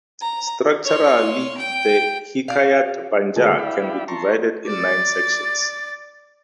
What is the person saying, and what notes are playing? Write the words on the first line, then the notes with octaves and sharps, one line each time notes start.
Structurally the Hikayat Banjar can be divided in nine sections.
A#5
C#5 C6
G5
F#4 D5 F5
D3 G#3 A3 B3 G#4 A4
E4 D5 E5 F5 G5 B5
A5 A#5 C6 C#6
D5 A6